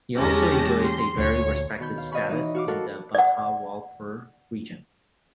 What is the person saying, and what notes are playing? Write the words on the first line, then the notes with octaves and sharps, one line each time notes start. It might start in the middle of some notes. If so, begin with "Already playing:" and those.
He also enjoys a very respected status in the Bahawalpur region.
E2 G#3 C#4 G4 A5 A#6
C6
D2 A#2 C#5
B2 D#3 C#5 B5 G6
F5
C#5 D#5 F5 F#5 B5 C#6
E3 D#4 D#5
F#4 F5 D6
F#4 A4 A#4 F5 F#5
D5 F#5